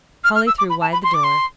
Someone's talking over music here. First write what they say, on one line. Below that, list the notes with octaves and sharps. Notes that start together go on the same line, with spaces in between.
Polly threw wide the door.
F6
F6
E6
D6
B5
A5
B5
C6
D6
C6